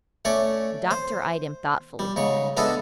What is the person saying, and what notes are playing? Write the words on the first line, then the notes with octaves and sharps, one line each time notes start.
The doctor eyed him thoughtfully.
A3 C#4 D5 C#6
C5
G3
G#2 C#3 C#6
G#3 B3 D4 A4 D#5 E5